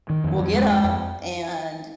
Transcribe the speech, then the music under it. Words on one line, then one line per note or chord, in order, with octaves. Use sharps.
will get up and
D#3
F2
F2
G#3
F2
F2